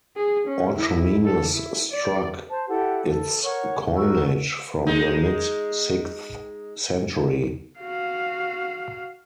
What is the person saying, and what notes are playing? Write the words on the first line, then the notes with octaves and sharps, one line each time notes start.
Orchomenos struck its coinage from the mid-sixth century.
G#4
C#4
E4
A4
E4
D5
C5 A5
E4 G4 A4 F#5
A4
A#4 C#5 F#5 C#6
F#4 A#4 C#6 E6
G#3 D#4
F#4 F5